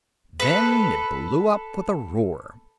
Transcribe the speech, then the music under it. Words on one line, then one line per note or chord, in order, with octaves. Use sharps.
Then it blew up with a roar.
A4 B4